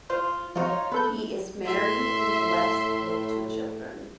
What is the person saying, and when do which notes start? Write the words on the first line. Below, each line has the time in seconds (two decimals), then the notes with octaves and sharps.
He is married and blessed with two children.
0.10 F4 C5
0.55 F3 D#4 F4 F#4
0.70 C#5
0.92 B3 A4 B4 G6
1.64 A2 E5 C6